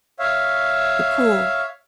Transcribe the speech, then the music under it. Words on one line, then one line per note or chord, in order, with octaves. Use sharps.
the pool,
C#5 E5 F5